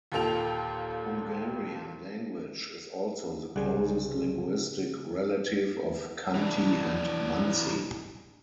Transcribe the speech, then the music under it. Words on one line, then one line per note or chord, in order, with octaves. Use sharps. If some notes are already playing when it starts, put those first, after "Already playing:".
The Hungarian language is also the closest linguistic relative of Khanty and Mansi.
D#2 A#2 F4 A4 G5 F7
C2 C#3 G3 G#4 F#5
E3 D4